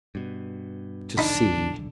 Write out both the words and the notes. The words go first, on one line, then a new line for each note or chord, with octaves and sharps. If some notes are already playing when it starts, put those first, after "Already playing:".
To see.
G2 B2
D#1 B1 D3 D4 D#4 B5